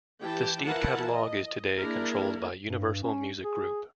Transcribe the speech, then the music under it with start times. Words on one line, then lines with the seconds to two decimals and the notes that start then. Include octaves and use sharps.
The Steed catalogue is today controlled by Universal Music Group.
0.21 E3 G4 G5 A5
0.64 E3 E4 F4 A#4 F#5 A5
1.12 D#5
1.80 A#3 D4 E4 G#4 A#4
2.65 G2
3.03 C#4
3.43 G#4